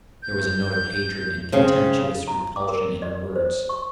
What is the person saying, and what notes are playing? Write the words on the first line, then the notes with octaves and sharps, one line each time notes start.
There was a note of hatred and contemptuous repulsion in her words.
G6
C#3 C4
A#5
D6
A#4
D5
C5
C#6